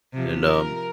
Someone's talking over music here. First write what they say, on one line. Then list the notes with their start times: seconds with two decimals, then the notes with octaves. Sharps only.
And um
0.13 C3 F3
0.45 A#4